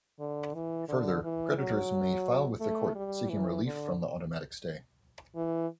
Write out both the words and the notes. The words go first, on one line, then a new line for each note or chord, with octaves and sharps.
Further, creditors may file with the court seeking relief from the automatic stay.
D3
E3
D3
E3
F#3
A3
G3
E3
D3
E3